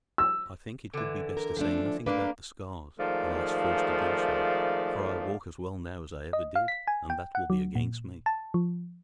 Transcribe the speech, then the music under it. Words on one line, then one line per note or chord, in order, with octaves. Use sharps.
"I think it would be best to say nothing about the scars, unless forced to do so, for I walk as well now as I ever did, and that will be against me."
E6
D3 E3
A#4
F3 A3 D4
A3 A#3 D4 B4
G#2 D#3 F3 A3 D5 F5
D#5
F5
B6
G#5
G5
F#5
F#3
A#2
A5
F3